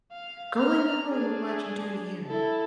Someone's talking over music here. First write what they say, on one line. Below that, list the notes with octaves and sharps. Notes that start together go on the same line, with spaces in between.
"Go in the room, we're watching Dirty Harry."
F5
A#5 F6
D4 G#4
E4 A4